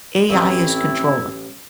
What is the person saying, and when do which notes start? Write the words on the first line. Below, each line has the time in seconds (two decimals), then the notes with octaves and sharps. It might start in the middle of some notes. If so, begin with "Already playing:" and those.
AI is controlling?
0.30 A1 A3 C4 E4